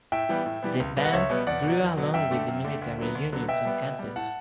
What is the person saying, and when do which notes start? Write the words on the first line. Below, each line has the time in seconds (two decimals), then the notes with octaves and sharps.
The band grew along with the military units on campus.
0.12 A2 E5 G5
0.29 E3 G3 B3
0.46 A2
0.62 E3 G3 B3
0.80 C#2
0.97 B2 G3 B3
1.05 F#5
1.13 C#2 C#5 E5
1.30 B2 G3 B3
1.47 E2 D5 F#5
1.63 B2 F#3
1.81 E2
1.97 B2 F#3
2.14 F#2 E5 G5
2.31 D3 A3
2.48 F#2
2.65 D3 A3
2.82 D2
2.98 D3 F#3 B3
3.15 D2
3.32 D3 F#3 B3
3.48 B2 E5 G5
3.65 G3 B3
3.82 B2
3.99 G3 B3
4.16 A2 F#5 A5